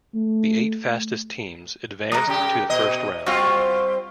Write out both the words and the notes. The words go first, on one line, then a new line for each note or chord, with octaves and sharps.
The eight fastest teams advanced to the first round.
A3
G#3 A#4 D#6
C#3 G4
B2 D#5
G3 C4 F4 F#4 F5 C#6